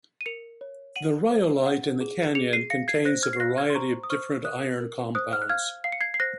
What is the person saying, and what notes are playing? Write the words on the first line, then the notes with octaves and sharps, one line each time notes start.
The rhyolite in the canyon contains a variety of different iron compounds.
D#7
A#4 C#7 F7
C#5
F#5 D#7 F#7
C5
F#5
G#4
G#4 C#7 F7
C7 D#7
F5 A#6 C#7
G#6 C7
C5 F#6 A#6
F6 G#6
C7
F5 F#6 A#6
F6 G#6
C6
C5 A#5 C#6
D#6
C5 C#6 F6
A#4 D#6 F#6
A#4
C5 D#6 F#6
F6
F#6
F5 F6 G#6
F5 C7
C#7
G#6 C7
C7
C5 F#6 A#6